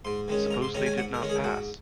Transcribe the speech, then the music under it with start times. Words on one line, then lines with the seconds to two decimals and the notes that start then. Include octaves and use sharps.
Suppose they did not pass!
0.05 G#2 C6
0.28 D#3 G#3 C#4
0.51 G#2 A#5
0.62 C6
0.74 D#3 G#3 C#4 A#5
0.86 G#5
0.97 G#2 F#5
1.14 A#4
1.21 D#3 G#3 C#4
1.29 G#4
1.44 G#2 F#4